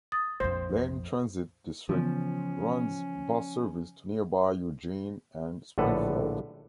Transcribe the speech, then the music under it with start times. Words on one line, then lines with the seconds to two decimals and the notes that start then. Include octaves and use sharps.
Lane Transit District runs bus service to nearby Eugene and Springfield.
0.12 D#6 A6
0.40 A#1 F2 C5
1.89 C#3 E3 F3 B3 C#4
5.78 A#1 A2 D3 A4 B4 F#5